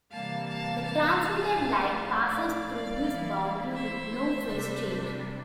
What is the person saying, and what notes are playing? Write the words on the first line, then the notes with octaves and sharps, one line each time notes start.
The transmitted light passes through this boundary with no phase change.
C3 E3 G3 A#3 F5 A5
F5 A5
F5 A5
A2 F3 A3 D4
D5 F5
E3 A#3 E4
C5 E5
C3 G3 D4